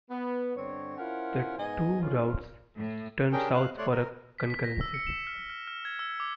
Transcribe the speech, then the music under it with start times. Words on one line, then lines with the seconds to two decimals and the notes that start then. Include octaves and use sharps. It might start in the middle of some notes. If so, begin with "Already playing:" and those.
The two routes turn south for a concurrency.
0.11 B3
0.55 G2 D3 C4 C#5
0.98 C#4 E4 F4 A#4 C5 F#5
1.58 G#2 B3 D#5 G#5
2.01 G#2 D3 C#4 F4
2.76 A2
3.32 C#4 D4 G4 G#4 A#4 G5
3.54 F5 F#6
3.78 A3 C#5 D5 C6 F#6
3.92 A#4
4.38 B6
4.50 B6
4.64 A#6
4.81 E6
4.94 C#7
5.07 E7
5.27 F6
5.50 F6
5.67 F6
5.85 G#6
5.99 E6
6.20 D6